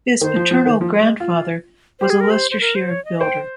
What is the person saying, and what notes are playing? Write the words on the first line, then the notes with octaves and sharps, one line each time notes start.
His paternal grandfather was a Leicestershire builder.
D#3 C5
F3
F3
D#3
F3
G#3
F4
G4 C5
G#4
A#4
C5
C5
A#4
C5
C#5
D#5
C5 G5